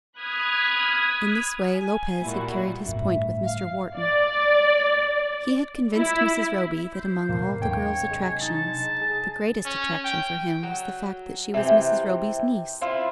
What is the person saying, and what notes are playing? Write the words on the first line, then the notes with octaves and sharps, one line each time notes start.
In this way Lopez had carried his point with Mr. Wharton. He had convinced Mrs. Roby that among all the girl's attractions the greatest attraction for him was the fact that she was Mrs. Roby's niece.
B5 D#6 F6 F#6 G#6 B6
G#5
A#2 G3 E4 F#4
G1 A2 E5
F5
D5
E4
C5
D#2 G#2 B2 A#3
C3 F#3 D4 C#5 G5
G#3
D#4 A5
G#4
C#4
G5
F#3
C3 E3 G5
C4 E4 F4